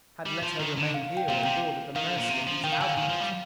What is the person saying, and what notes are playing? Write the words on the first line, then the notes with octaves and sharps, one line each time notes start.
Had let her remain here on board at the mercy of these outlaws.
G3
F3
D#3
D3
F5
G5
A#2 F5
C3 G5
D#3 F5
D3
A#2
C3
F3
D#3 G5
F5
D3 G#5
F5
D#3
F3
G3